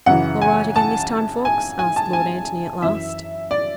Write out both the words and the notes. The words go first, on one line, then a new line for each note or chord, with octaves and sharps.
"All right again this time, Ffoulkes?" asked Lord Antony at last.
F#2 C#3 E3 F#5
G#5
A5
G#5
G#5
A5
G#5
F#2 E3 E5
D5